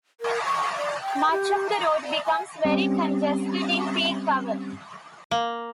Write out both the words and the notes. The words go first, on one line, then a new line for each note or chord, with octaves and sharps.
Much of the route becomes very congested in peak hour.
A#4
C#6
D5
G5
G4
A#5
D5
G#5
G3 C4 C#4 G4
A#3